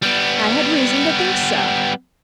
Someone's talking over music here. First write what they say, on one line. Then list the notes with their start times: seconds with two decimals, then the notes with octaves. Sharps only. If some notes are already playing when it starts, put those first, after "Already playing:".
"I had reason to think so."
0.02 G3 B3